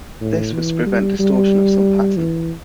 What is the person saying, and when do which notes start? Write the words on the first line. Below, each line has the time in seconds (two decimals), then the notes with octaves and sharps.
This was to prevent distortion of some patterns.
0.21 A2
0.54 E3
0.86 G3
1.19 G3
2.17 E3